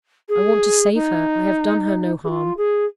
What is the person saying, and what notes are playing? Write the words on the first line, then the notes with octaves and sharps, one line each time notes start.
I want to save her; I have done her no harm.
G#4
D#4
G#4
F4
G#4